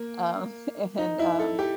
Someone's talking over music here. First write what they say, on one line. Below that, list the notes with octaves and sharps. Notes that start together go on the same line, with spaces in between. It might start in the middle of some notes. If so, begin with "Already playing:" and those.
um, and, um,
Already playing: A#3
D#4
E4
A4
G4